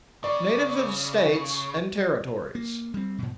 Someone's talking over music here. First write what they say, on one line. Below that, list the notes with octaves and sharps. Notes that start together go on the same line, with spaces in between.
Natives of States and Territories.
C#3 D5
A#3
G3 C4
G#2 B2